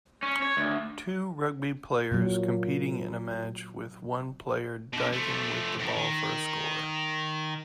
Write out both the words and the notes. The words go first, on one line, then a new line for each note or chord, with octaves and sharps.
Two rugby players competing in a match with one player diving with the ball for a score.
C#4
C#5
D2
A#2 F#3
B2 D3
F3 A3
F#2 A2
D#3